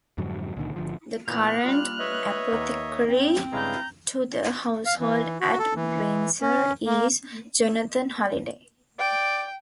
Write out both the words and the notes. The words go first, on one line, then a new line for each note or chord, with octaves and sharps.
The current Apothecary to the Household at Windsor, is Jonathan Holliday.
F2 G#2 D3 F#3
C#2 A#2 D3 D#3
G#1 D3 F3
A#2 E3 B3 F6 F#6
G3 D4 F4
B4 C#5 D#5 E5
D#2 A#3 F#5
C4
G2 C#3 G#3 E4 B4 F5 A#5 G6
F5
E3
F#4
A4
E3
C#4
A#3
D5 G5